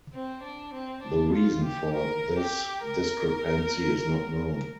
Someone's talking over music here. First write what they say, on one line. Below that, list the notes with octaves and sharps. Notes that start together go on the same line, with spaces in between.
The reason for this discrepancy is not known.
C4
D4
C4
D4
F4
G4
A#4
G4
A#4